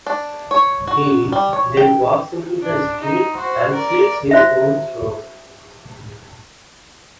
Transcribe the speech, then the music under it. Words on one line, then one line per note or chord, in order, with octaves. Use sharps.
He then walks into the street and slits his own throat.
D4
C#5
F#4
G3
C#5
G5
D4
D#4
F#4 C5
A#4 D5
F#4 C5 E5